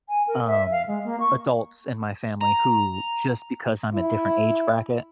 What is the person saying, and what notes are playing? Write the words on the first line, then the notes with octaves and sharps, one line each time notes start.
um, adults in my family who just because I'm a different age bracket,
G#5
A#4
E5
F5
G#3
A#3
C#6
A#5
E4